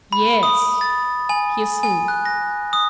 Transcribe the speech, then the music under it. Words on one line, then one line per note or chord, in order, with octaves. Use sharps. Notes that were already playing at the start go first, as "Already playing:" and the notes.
"Yes," he said.
B5
D#6
A6
G#5
G#5
F#6
A#6
D#6